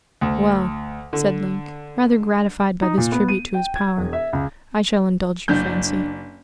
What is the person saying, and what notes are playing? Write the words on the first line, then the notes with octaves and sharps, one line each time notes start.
"Well," said Link, rather gratified by this tribute to his power, "I shall indulge your fancy."
D2
D3
D#4
A#2
B3
D#7
G5
G#6
E1
E5
C#2
F#1 D4 G6